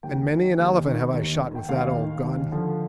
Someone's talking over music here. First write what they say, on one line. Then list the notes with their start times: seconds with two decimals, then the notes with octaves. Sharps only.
And many an elephant have I shot with that old gun.
0.03 D#2 G5
0.31 D#3
0.59 D#2
0.86 D#3
1.13 D#2
1.41 D#3
1.55 G5
1.69 D#2 F5
1.96 D#3
2.24 D#2
2.52 D3 F3